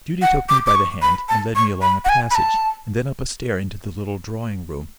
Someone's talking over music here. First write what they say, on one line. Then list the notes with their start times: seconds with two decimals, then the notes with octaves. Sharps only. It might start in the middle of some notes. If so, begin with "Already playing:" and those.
Judy took me by the hand, and led me along a passage, and then up a stair into the little drawing-room.
0.22 F#5
0.49 D6
0.67 D6
0.75 C#6
1.02 B5
1.29 A5
1.56 C#6
1.82 B5
2.05 F#5
2.09 G#5
2.31 B5
2.35 A5